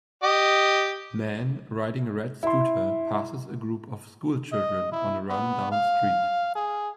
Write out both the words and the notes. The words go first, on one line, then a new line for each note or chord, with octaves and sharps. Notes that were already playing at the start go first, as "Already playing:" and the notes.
Man riding a red scooter passes a group of school children on a run down street.
G4 D#5
E4 C6
D#5
E4
B3
F5
G#4